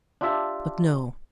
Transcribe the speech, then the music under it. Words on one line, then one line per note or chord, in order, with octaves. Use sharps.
But no.
D4 F4 G4 E5 A5